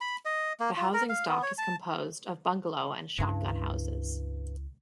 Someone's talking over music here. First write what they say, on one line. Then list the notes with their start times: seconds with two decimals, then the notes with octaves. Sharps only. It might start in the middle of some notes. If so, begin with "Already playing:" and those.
The housing stock is composed of bungelow and shotgun houses.
0.01 B5
0.25 D#5
0.60 A#3
0.77 F4
0.93 A#4
1.09 F5
1.28 B3
1.43 C#5
1.58 A5
3.18 C#2 G2 E4